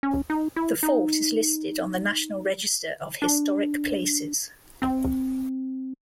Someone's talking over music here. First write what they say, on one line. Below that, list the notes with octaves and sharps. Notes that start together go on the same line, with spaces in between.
The fort is listed on the National Register of Historic Places.
C#4
D#4
E4
D#4
D4
C4